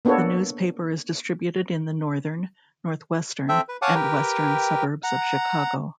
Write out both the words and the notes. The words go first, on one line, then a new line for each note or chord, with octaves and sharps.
The newspaper is distributed in the northern, northwestern and western suburbs of Chicago.
A#3 B3 D4 F#4 A4 C#5
C4 A4 E5 G5
B4
C#5 F5 F#5 G#5 A5 D6
G4 A#4 B4 G5
F#5 A#5